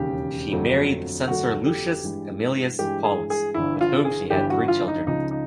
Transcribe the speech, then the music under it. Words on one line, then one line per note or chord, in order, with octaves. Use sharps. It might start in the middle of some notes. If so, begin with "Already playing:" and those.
She married the censor Lucius Aemilius Paullus, with whom she had three children.
Already playing: E1 D#2 C#3 G4
G1 F2 D3 F#3 A3
G1 F2 D3 F#3 A3 F#4
G4
G2 E3 G#3
G2 E3 G#3 G4
G#4
G#4
G1 G2 E3 E4
F4
G#4
G1 G2 E3 G4
F#4
F4
D#4
C#2 C#3 F3 D#4
D#4